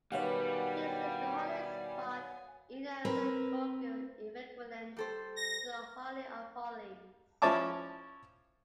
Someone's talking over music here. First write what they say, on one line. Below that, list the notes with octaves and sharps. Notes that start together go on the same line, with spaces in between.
This is the holiest spot in a synagogue, equivalent to the Holy of Holies.
B2 D#3 G3 C#5 F5 F#5 G#5
C4 A#4 B4
G3 A4 C5
A#6
F3 C#4 E4 C#5 A5 D6